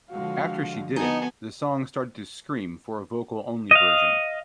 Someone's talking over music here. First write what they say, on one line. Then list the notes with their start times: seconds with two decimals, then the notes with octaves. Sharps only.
After she did it, the song started to scream for a vocal only version.
0.11 D3 F3 G#3 F#4 F5
0.96 B3 D#4 F#4 G#5 A5
3.71 D#5 F5